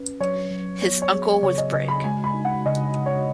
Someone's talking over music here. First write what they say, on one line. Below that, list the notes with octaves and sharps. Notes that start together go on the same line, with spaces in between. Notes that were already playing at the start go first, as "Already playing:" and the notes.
His uncle was Brig.
Already playing: C#4 B4
F#3 C#5
F#3
B3 C#5
C#5
G#4
C#3 C#5
D#5
C#3 D#5
B5
G#3 G#5
B5
D#4
F#5
C#3 D#5
C#3
C#5